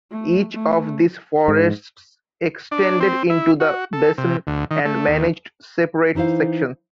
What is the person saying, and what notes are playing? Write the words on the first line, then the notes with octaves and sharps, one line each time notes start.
Each of these forests extended into the basin and managed separate sections.
A3
A3
G#2
D4
C4
E4
F#4
A4
C3
D2
D#3
A3
D#2
E3 D#4 E4 C5 F5